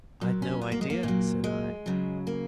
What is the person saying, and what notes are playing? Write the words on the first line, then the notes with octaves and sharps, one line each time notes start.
"I'd no idea," said I.
A#2 F#3
C#4
B3
A#3
G#3
A#3
A#2 F#3
G#3
C#3 F#3
A#3